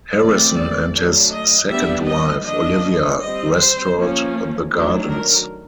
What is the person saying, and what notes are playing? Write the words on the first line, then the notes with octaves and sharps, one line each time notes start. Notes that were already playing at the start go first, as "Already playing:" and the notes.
Harrison and his second wife Olivia restored the gardens.
E3 A3 C4 D5
F#3 A3 D4
D#5
G3 B3 D4 E5
D#5
F3 A#3 D4 D#5
G3 C4 D#5
C5
F3 A#3 C#4
D#3 F#3 A3 D4
A#4